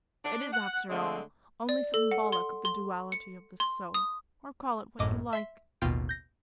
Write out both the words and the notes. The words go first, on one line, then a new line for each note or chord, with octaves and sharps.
It is after all only symbolic of the duality of the soul--or call it what you like.
D4
F#5
D3 G#3 A3 C4
D5
A4
F#5
C6
C6
C#7
C6
D#6
G#1 F#2 A2 D#5 D6
E5 C6 B6
A1 D#2 B2 F4 G5 D7
G6 A#6